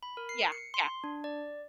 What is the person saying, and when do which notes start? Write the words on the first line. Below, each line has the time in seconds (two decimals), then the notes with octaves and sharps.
Yeah, yeah.
0.03 B5
0.17 A#4
0.29 C7
0.52 C#7
0.74 C6
1.04 D4
1.24 D5